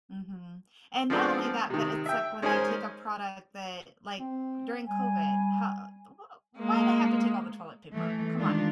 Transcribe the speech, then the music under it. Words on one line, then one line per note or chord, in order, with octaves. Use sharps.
Mhm, and not only that, but it's like when they take a product that, like, during COVID, h uh, t wh why'd they have to take all the toilet paper? Come on,
F3 G#3 B3 C4 D4
C3 D#3
E5 G5
G#3 C#4 D#4 A#4 C5 G#5
C4
G3 G#5
G#3 A#3
E3 A3
D#3 G#3 D4 F4